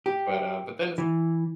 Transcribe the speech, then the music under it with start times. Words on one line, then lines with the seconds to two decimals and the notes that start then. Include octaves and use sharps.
M but uh, but then it's
0.06 G4
0.98 E3